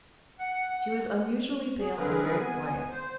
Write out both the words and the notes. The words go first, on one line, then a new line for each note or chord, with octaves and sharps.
She was unusually pale and very quiet.
F#5
G#4
D3 G3 C4 G#4 A#4 B4
B3 G#5
C5